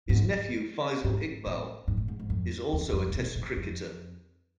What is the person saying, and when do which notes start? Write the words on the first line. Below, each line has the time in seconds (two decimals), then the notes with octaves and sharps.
His nephew, Faisal Iqbal, is also a Test cricketer.
0.09 G#2
0.19 F2
1.04 G#2
1.46 A2
1.88 G#2
1.97 A2
2.08 G#2
2.20 G#2
2.30 F2
2.73 E2
2.93 F2
3.09 C3
3.15 B2
3.36 A2
3.57 F2